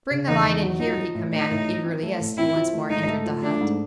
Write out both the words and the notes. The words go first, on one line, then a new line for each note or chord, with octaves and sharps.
"Bring the light in here!" he commanded eagerly, as he once more entered the hut.
C#3
E2 D#4
E2
F#3
F3 D#4
F3
A2
A3 D#4
A2
F3
C4
A3
A2
C4 E4
F3
A3
G#2 D#4
A3
F3
A3 D4
G#2